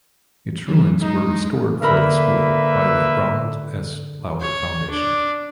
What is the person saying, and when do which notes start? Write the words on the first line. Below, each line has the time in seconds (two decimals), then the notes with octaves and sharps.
Its ruins were restored for the school by the Ronald S. Lauder Foundation.
0.68 E3 F#3
1.02 G#3 D#4
1.82 D3 A#3 A#4 B4 E5 B5
4.40 C#5
4.90 D4